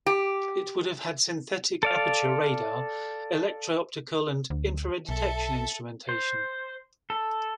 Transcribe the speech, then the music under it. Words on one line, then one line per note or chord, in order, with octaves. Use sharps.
It would have had synthetic aperture radar, electro-optical and infrared detection instrumentation.
G4
A4 D5 F5
D2
B1 A4 E5 A5
C5
A4